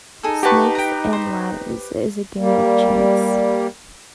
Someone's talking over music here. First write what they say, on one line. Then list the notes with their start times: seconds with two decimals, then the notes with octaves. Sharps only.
Snakes and ladders is a game of chance.
0.23 D#4 G#4 A4
0.43 F#4 G4 B4 A5 C#6
0.75 G5 A#5
1.13 C5
2.38 G3 A#3